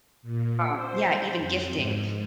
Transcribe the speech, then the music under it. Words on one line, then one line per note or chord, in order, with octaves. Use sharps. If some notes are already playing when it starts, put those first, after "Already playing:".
um yeah, even gifting,
A#2
C5
F2
G#2